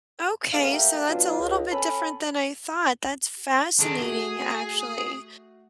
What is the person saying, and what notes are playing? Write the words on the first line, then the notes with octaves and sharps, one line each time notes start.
Okay. So, that's a little bit different than I thought, that's fascinating, actually.
G#2 B3 A4 F5
A3 A#3 G4 A#4 E5 G5
B2 D3 F#3 D4 F4
C#2
C#4 A4 B5
D#3 D4 G#4 A4
A3 F#4 G#4